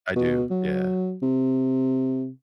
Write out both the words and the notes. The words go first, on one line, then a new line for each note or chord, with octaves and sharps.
I do, yeah.
B2
F#3
C3